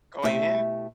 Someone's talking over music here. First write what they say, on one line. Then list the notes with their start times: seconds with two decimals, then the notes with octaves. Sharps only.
Going in?
0.22 B2 A3 E4 G4 C5 E5